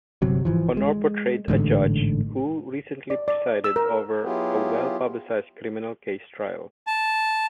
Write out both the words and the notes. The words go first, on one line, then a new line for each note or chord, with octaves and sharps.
Aunor portrayed a judge who recently presided over a well publicized criminal case trial.
G1 C3 F#3
G#1 E3 F3
G#3
A1 G#2 D3
D5
D5
E6
A#4
F#3 B3 E4 F4 G4 G#4
A5